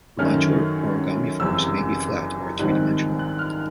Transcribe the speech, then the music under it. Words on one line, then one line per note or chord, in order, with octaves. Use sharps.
Modular origami forms may be flat or three-dimensional.
F#2 D#3 F#3 A3 C#4 F6
F#1 E2 C3 E6
A#1 G#2 D#3 G3 C4 F#6
F#6
F6